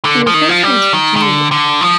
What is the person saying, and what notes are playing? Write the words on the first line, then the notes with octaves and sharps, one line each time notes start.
He was then transferred to Newgate.
D3
F3
D#3
F3
G3
D#3
D#3
D3
D3
F3